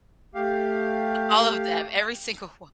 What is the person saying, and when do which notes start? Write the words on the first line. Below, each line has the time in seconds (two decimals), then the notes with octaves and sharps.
All of them, every single one,
0.35 A3 G4 F5